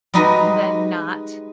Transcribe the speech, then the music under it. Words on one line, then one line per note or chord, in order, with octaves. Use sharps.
than not,
G3 G#3 D#4 F#4 B4 D#5